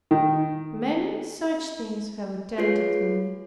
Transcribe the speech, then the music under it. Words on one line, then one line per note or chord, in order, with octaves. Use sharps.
Many such things have attended me.
D#3
F4 G#4 B4 C#5 C7